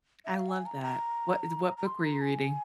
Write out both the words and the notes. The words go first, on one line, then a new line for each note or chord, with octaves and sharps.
I love that. What is what book were you reading?
E5
F5
G#5
A#5
A#5
A#5
C6
A#5
G#5